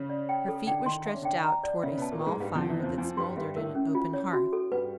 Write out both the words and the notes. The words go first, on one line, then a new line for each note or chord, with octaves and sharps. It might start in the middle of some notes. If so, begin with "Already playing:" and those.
Her feet were stretched out toward a small fire that smouldered in an open hearth.
Already playing: C#3 C#4
D5
G5
A4
D3 D4 G5
D#3 D#4 C6
D4 E5
C#4
D3 D4 G5
A#5
D5
C#3 C#4 E5
B2 B3 A5
A#2 A#3
B4
G#2 G#3
G2 G3 F5
F2 F3 A5
E2 E3
F2 F3 C5
F2 F3 G#5
G2 G3 C6
G2 G3 E5
A2 A3 A#4
C#4
F4
C#5
F#4
A4
G2 G3 B4